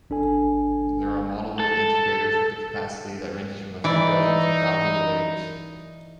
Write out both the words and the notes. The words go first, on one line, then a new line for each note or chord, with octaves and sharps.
There are models of incubators with a capacity that ranges from a few dozen to thousands of eggs.
G1 D4 A4 G#5
A4
E3 D#4 D5